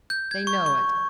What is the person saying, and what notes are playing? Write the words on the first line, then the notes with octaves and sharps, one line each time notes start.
They know it.
G6
G#6
C#6
C#6